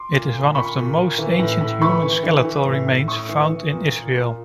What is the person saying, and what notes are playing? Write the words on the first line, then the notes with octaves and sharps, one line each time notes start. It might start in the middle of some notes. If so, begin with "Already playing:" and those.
It is one of the most ancient human skeletal remains found in Israel.
Already playing: C6 D6
A#2
A#2
A#2 B5 C#6
A#2
A#2
E3
A2
A2
E3 B5 C#6
E3
E3
E3
A2
A2
A2 C#6 D#6
E3
E3
A#2
A#2
A#2